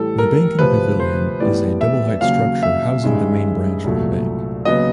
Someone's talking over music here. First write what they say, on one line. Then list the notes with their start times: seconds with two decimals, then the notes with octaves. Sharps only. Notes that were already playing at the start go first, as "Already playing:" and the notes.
The banking pavilion is a double-height structure housing the main branch of the bank.
Already playing: A2 E3 G3 A4
0.18 A#4
0.59 D2 C3 F3 B4
1.00 C5
1.40 A2 E3 G3 B3 D5
1.81 E5
2.21 D#2 C#3 F#3 F5
2.63 E5
3.03 G2 D#3 G#3 C#4
3.84 C2 A#2 F#3 A3
4.65 D#2 C#3 F#3 B3 D#5